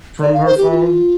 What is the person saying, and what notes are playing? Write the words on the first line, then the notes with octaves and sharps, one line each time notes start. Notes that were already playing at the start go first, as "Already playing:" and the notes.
from her phone,
D5
F5
C5
G4
F4